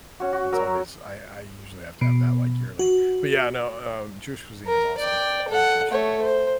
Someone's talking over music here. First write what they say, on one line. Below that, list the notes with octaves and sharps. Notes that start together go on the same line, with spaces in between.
that's always I I usually have to have that, like, yearly. But, yeah, no. Um, Jewish cuisine is awesome. Love Jewish food.
C#4 F#4
F#4
F#3 A#4 E6
B2
F#4
A#4
D5 G5
A4 F#5
A3 C#5
C5